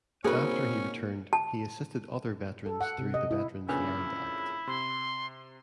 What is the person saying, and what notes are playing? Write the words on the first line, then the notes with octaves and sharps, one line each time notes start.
After he returned, he assisted other veterans through the Veterans Land Act.
A#3 C4 C#4 D#4 F#4 G#4 B4
A5
A4
F#5
C3
D#5
E4
F2 A#2 C#3 C#4 D4 E4 B4
C3 C6